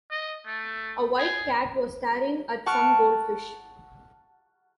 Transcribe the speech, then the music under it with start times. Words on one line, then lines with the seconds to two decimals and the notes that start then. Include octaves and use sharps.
A white cat was staring at some goldfish.
0.11 D#5
0.47 A3
1.18 G#4
2.66 F#5 A5 C#6 F6 D7